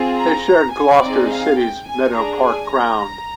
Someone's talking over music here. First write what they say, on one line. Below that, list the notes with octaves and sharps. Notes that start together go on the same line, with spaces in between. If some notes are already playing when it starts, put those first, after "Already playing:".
They shared Gloucester City's Meadow Park ground.
Already playing: C4 F4 G#4
A#5
G#5
C4 D#4 G#4 D5
F5
G5
G#5
D4 G#4 A#5
G#5
A#5